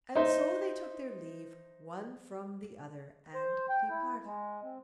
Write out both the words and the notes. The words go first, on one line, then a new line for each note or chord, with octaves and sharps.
And so they took their leave one from the other and departed.
D#4 C5 E5
C5
G5
E4
G#3
C4